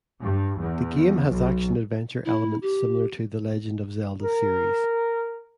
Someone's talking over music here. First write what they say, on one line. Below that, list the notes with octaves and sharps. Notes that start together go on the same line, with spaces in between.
The game has action adventure elements similar to The Legend of Zelda series.
G2
E2
B1
E4
G4
A#4